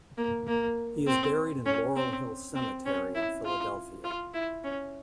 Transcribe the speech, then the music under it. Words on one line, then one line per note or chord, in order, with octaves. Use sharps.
He is buried in Laurel Hill Cemetery in Philadelphia.
A#3
A#3
C4
C#4
C4
C4
C#4
E4
F4
F4
E4
C#4